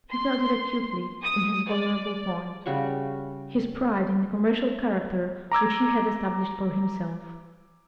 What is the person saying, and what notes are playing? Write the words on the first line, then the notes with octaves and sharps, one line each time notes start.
He felt it acutely in his vulnerable point--his pride in the commercial character which he had established for himself.
C6
D#6
D5
C#3 G3 F#4 C#6
A#5 D6 E6 G#6